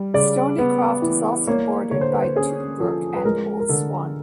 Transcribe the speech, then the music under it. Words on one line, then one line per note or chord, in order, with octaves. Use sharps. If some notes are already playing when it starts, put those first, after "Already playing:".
Stoneycroft is also bordered by Tuebrook and Old Swan.
Already playing: G3
C#3 D5
B3
E3
A#3 C#5
D3 C#5
C5
B4
C5
C#4 G#4
F3 A4
B4
G#3 A#4
A#4
D3 A4